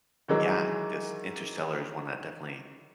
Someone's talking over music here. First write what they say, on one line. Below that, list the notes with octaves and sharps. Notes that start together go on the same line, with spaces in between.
yeah, this Interstellar is one that definitely
D#3 E3 F#3 G#3